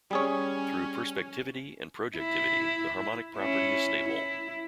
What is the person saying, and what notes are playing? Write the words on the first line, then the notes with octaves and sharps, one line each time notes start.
Through perspectivity and projectivity, the harmonic property is stable.
G3 C#4 G#4 C#5
E4
C#4 E4
E4